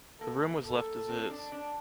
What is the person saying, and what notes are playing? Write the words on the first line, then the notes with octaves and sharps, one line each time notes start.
The room was left as is.
A#3 A4
A4
C4
D4
D4